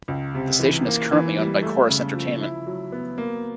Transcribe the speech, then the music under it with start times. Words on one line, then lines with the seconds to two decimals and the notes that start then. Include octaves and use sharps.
The station is currently owned by Corus Entertainment.
0.08 C#2
0.34 C3
0.59 E3
0.86 A#3
1.12 E3
1.38 G3
1.62 A3
1.89 C#3
2.14 F3
2.41 E4
2.67 F#3
2.92 B3
3.18 A#3